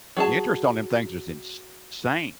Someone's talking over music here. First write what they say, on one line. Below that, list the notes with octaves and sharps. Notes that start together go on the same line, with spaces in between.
The interest on them things is ins sane.
F#3 G#4 A5